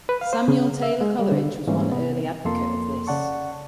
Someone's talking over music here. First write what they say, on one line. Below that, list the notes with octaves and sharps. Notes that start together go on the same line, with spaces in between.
Samuel Taylor Coleridge was one early advocate of this.
B4
F5
C5
C#3
E5
G#3
G3
D3
G#2 E3 G3 A#3 C4 C#4
C3 B3
F2 A#3 A4 C6
C#3 D5 F#5 A5 C#6